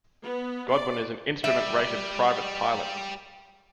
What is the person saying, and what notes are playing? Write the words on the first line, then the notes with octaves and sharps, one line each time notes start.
Godwin is an instrument rated private pilot.
B3
D5
G3 E5